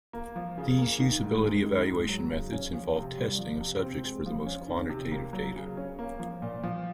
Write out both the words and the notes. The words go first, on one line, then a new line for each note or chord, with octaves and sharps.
These usability evaluation methods involve testing of subjects for the most quantitative data.
A#3
F3
C#3
A#3
D#3
G#2
G#3
D#3
G#2
F#3
C#3
C#4
F3
C3
C2
F3
C3
C4
G#3
F3
C#4
D#3
C3
A#3
F#3
C#3
C#4
A#3
F3
A#2
F3